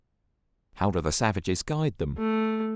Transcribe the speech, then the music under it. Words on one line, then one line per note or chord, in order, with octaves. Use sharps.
How do the savages guide them?
A3